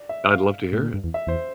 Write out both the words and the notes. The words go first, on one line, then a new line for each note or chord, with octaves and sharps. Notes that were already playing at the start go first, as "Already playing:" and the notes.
I'd love to hear it.
Already playing: D5
E5
F5
A2
A#2
G2
E2
E5
E2 C5